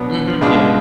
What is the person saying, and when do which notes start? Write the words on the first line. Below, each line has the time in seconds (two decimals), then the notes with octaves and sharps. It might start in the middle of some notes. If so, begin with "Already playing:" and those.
Mhm, yeah.
Already playing: B2 F#3 B3 D4
0.41 C#2 B2 G#3 D4 F4